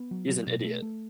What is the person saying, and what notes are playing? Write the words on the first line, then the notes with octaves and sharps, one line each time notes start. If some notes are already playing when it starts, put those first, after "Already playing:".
he's an idiot.
Already playing: B3
F#3
F#3
B2
A3
A3